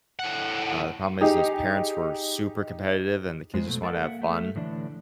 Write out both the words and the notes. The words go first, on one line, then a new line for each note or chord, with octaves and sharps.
uh, the problem is those parents were super competitive, and the kids just wanna have fun,
A2 F#5
D#4 G4 G#4
F2 G#3 C5
B2 A3
A4 A#4 F#5
A#3 E5 F#5
A3
A2 D3 E3 D4 D5